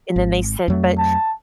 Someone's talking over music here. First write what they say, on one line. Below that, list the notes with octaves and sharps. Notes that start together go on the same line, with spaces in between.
and then they said, "But
G#1
F2 F#3 A3
A5